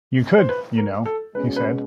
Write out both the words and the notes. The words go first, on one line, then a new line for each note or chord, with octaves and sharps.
"You could, you know," he said.
C5
B4
A#4
A4
B2 G#3 C#4 B4
B4